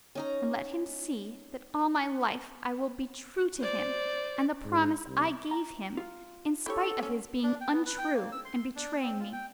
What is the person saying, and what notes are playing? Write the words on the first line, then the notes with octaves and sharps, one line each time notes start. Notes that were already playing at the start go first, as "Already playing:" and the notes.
And let him see that all my life I will be true to him and the promise I gave him, in spite of his being untrue and betraying me.
C#4 D#4 A#5
C5 D5
G#2
C2
A#5
F4
E4 G4 A4 C#5
A#3 C#4
D4
G5
B3
B4
G5
A#3
E6
C6
D4
C4
F4
G5